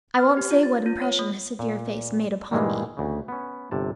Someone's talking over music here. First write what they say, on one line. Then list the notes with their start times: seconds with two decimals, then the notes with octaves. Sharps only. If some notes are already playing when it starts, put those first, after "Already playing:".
I won't say what impression his severe face made upon me.
0.19 F6
0.37 G4
0.51 F4
0.63 A6
0.86 F4
1.02 C#5
1.19 A#3
1.59 A#2
2.51 G2 A#2 D#3 E3 G3 G#3
2.97 D2 C#3
3.28 B3 C#4
3.71 G1 C3 A5